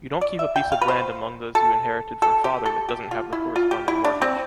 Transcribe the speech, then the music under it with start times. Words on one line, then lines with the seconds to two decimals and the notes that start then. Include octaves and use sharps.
You don't keep a piece of land among those you inherited from Father that doesn't have the corresponding mortgage.
0.21 D5
0.39 E5
0.56 G5
0.72 F5
0.81 B4
0.88 C5
1.55 A4
2.22 A4
2.44 G4
2.66 A4
2.89 G4
3.11 F4
3.33 E4
3.56 F4
3.71 G4
3.88 E4
4.04 D4
4.22 C4